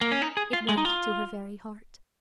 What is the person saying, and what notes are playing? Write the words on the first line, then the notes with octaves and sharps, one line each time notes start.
It went to her very heart.
A#3
C#4
D#4
G#4
F4
G#3
D#4
F4